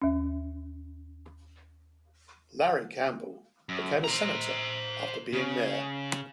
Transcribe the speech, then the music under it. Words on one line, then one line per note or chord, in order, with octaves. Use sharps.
Larry Campbell became a Senator after being mayor.
D#2 C#4
F#2
C5 A#5
C#3